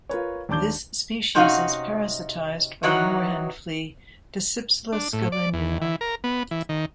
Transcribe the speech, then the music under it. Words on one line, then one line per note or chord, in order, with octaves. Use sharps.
This species is parasitised by the moorhen flea, "Dasypsyllus gallinulae".
F4 A#4 B4 C#5
D#2 D4 A5 D6 G6 G7
C3 C#4 D#4 F#4 B4 F5
D#3 E3 F#3 D#4 F#4
D4
A2
D5
E2
E3
A#4
B3
E3
D#3